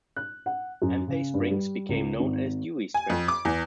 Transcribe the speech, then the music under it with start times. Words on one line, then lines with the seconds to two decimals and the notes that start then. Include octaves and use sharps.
Empey Springs became known as Dewey Springs.
0.16 F#6
0.46 F#5
0.82 F#2
1.08 C#3
1.34 G2
1.51 G3
1.89 C#2
2.20 G#1
2.94 G#5
3.10 F2
3.28 D6
3.45 E2